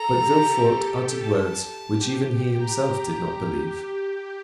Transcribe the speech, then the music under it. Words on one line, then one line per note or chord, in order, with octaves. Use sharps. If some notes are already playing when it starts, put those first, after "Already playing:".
But Villefort uttered words which even he himself did not believe.
Already playing: A4 A#5
G4
A5
G4
A#5